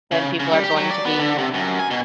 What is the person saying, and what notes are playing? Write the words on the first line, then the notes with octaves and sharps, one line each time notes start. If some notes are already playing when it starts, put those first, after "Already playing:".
then people are going to be
C#3
C#3
G3
G4
F#3
D5
B3
D3
C3
F#2
G#5
B2